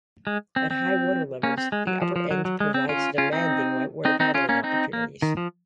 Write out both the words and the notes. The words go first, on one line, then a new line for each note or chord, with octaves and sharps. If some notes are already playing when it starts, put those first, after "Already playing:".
At high water-levels, the upper end provides demanding white-water paddling opportunities.
G#3
C4
C4
A#3 C#4
C4
G#3
F#3
F3
F3
F#3
F#3
G#3
C4
C#4 F4
C#4 F4
C4 D#4
C4 D#4
C4 D#4
C#4 F4
A#3 C#4
C4 D#4
A#3
D#3
F3